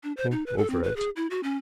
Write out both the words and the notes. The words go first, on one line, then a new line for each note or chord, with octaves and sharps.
Think over it.
D4
C5
D#4
B4
A4
C4
B4
G#4
E4
F#4
C#4